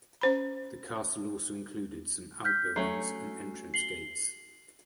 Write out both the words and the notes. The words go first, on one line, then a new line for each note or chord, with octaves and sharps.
The castle also included some outbuildings and entrance gates.
C#4 C5 B5
F6 G6 B6
F#3 A3 C#4 C7
C7 F#7 G7